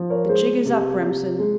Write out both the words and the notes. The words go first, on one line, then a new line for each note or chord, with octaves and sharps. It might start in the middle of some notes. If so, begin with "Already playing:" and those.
The jig is up, Remsen.
Already playing: F3
A#4 C#5
G#3 G#4 C5
C3
C3
G#3